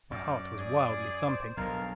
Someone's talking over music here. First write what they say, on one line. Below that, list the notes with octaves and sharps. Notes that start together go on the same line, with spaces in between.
My heart was wildly thumping.
F#2 D5
G#4 D5
C5
B1 G2 A#4 F5